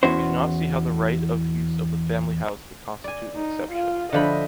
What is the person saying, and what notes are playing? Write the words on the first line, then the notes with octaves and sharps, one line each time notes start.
We do not see how the right of use of the family house would constitute an exception.
E2 C#4 E4 F#4 C5
D5 G#5
D#4
F4 F5
D3 F3 D#5 E5 B5